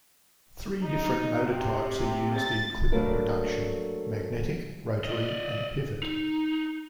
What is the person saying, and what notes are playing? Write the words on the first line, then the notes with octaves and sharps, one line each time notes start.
Three different motor types are used in clipper production: magnetic, rotary and pivot.
D#4
C3
A6
F#3 A3 A#3 D4 A#4 B4
D5 D#5
D#4